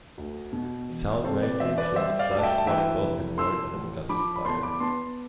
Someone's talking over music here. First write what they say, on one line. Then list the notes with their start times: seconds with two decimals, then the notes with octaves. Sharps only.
Sound ranging and flash spotting both required enemy guns to fire.
0.18 D2
0.53 B2
0.89 E1
1.24 C3 A4 C5
1.42 B4 D5
1.60 E1 C5 E5
1.78 B4 D5
1.95 G3 C5 E5
2.19 D5 F5
2.31 D2
2.39 A5
2.43 E5 G5
2.58 A5
2.67 E3 E5 G5
3.03 F1
3.38 F3 C6 E6
3.74 A1
4.09 F3 B5 D6
4.36 B5
4.45 E2 A5 C6
4.63 B5 D6
4.80 B3 A5 C6